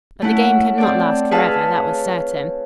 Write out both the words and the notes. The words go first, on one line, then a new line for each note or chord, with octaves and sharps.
But the game could not last forever, that was certain.
A3 C#4 E4 F#5
C4 A4 D5
G#4 B4 C#5 F5 A5 E6